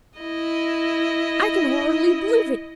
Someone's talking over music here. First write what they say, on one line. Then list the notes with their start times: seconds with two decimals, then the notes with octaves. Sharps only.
I can hardly believe it!
0.19 E4 D#5